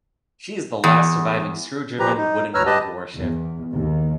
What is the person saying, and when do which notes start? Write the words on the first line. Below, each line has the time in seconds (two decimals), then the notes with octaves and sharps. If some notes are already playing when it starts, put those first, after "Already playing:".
She is the last surviving screw-driven, wooden-hulled warship.
0.84 E2
1.99 A#2 F3 G4 B4 A#5
2.17 D#4
2.54 D2 B4 C#5 A#5 E6 F6
2.66 G4 B4 D#5 A5
3.17 E2
3.75 D#2